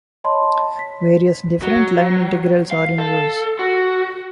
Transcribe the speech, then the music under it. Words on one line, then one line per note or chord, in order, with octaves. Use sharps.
Various different line integrals are in use.
C#5 D#5 A5 B5 C6
B6
F#3
F5
A4
F#4